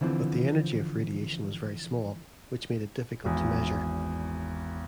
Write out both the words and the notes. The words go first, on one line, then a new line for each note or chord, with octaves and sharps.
But the energy of radiation was very small, which made it difficult to measure.
D3 E3 F3 C4
G#1 E2